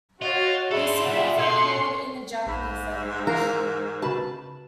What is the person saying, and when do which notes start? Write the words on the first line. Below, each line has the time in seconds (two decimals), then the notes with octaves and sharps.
These symbols are called in the Japanese language.
0.22 F4 F#4 C#5 D#5 A6
0.71 G#2 G#4 A4 D5 E5 B5 C6
1.06 G2 C#3 F4 D5 E5 F#5
1.38 B2 A4 C6 C7 C#7
2.47 A#1 G#2 B5
3.27 E3 A#4 F5 A#6 C7
4.02 C#3 F#4 B4 A5 B5